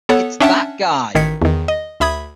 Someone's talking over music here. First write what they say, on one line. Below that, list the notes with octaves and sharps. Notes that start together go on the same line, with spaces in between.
It's That Guy!
B3 A4 C#5 F#5
C#4 D4 E5 F#5 G5 A5
A1 D#3 G#6 B6 C#7
E2 D#3
D#5
D2 E5 B5 D#6 G#6